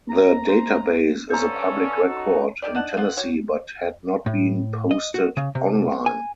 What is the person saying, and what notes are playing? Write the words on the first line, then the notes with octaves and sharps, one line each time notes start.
The database is a public record in Tennessee but had not been posted online.
A#5
C5
G2 D3 C#4 A4 C5 A#5
C#4 D#4 F#4
D#3 C4 G4 D5
D4 D#4 F#5 A5
B3 F4 F#5
F#4 G4 C#5
A2
D#5
F#4
C#3
C3
G#5